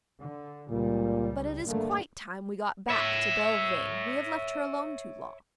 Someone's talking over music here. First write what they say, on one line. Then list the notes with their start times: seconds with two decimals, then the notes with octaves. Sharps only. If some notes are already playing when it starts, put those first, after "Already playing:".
But it is quite time we got back to Belvane; we have left her alone too long.
0.20 D3
0.70 C#2 A#2 G3
1.66 G2 D3 A3 A#3
2.89 C#5 E5